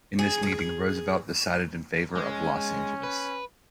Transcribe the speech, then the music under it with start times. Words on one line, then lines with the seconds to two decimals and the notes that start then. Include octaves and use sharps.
In this meeting, Roosevelt decided in favor of Los Angeles.
0.19 G#4
0.43 G#4
2.15 G#3 C#4
3.03 B4